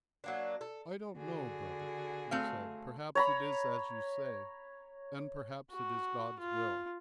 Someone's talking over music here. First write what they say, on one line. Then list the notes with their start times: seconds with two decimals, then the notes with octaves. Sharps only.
"I don't know, brother," he said; "perhaps it is as you say, and perhaps it is God's will."
0.24 F#3 A#3 D4
0.61 A4
1.16 D3 F#4 G#4
2.31 A3 C4 F5
3.15 C#5 A#5 B5
5.71 F#4
6.39 F4